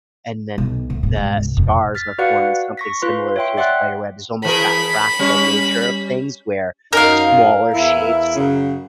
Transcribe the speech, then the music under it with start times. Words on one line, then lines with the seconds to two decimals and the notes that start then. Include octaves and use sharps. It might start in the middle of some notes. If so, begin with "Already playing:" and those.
and then the stars are forming something similar to a spiderweb. There's almost that fractal nature of things where smaller shapes
0.58 B1
0.90 D2
1.03 A#1 B2
1.16 G#2
1.38 C2
1.57 F2 B2
1.95 F6 A6 B6
2.18 F#4 B4 D5 F5 F#5 C#7
2.77 C#6 A#6 B6
3.02 F4 B4 C6
3.36 C#5 E5 G5 C6
3.57 D5 E5 F#5 G5 C6 F#6
4.45 E3 G#4 A#4 B5
5.19 G3 C#4
6.93 F#2 D#4 A#4 F5
7.74 E2 E4
8.36 F#2 C#3